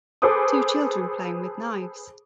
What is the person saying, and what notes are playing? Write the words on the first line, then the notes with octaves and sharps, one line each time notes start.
Two children playing with knives.
G#4 A4 B4 C5 D6 D#6